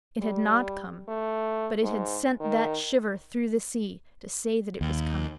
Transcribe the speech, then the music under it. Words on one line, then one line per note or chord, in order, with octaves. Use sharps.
It had not come, but it had sent that shiver through the sea to say that it was coming.
G3
A3
G#2
D#3
D#2